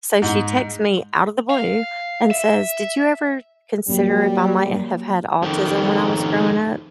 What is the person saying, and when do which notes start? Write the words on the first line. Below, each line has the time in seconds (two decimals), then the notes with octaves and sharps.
so, she texts me out of the blue and says, "Did you ever consider if I might have had autism when I was growing up?"
0.22 G#2
1.50 F5
2.31 E5
3.88 F#3 G3 A#3 C#4
5.42 F2 D#3